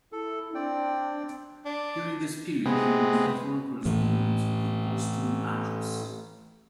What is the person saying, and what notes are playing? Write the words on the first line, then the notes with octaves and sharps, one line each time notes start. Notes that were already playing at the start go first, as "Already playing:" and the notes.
During this period he was the foreign correspondent of the "Boston Atlas".
E4 A4
C4 D4 D5 G5
D4
C3 G#3 B3
A2 E3